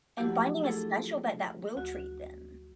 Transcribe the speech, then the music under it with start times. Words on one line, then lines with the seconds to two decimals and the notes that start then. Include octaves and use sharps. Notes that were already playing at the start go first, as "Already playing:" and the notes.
And finding a special vet that will treat them.
0.18 F3 F#3 A3 E4 F#4 G4
0.63 A3 D4 E4 F4 G#4 A4
1.77 D2 F#4 F#6